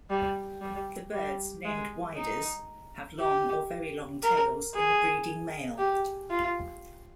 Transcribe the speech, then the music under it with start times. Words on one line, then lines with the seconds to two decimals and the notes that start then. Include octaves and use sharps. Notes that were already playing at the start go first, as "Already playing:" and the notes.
The birds named "whydahs" have long or very long tails in the breeding male.
0.10 G3
0.61 G3
1.13 G3
1.65 G#3
2.16 D#4
3.20 G4
4.23 A#4
4.75 G#4
5.78 G4
6.30 F4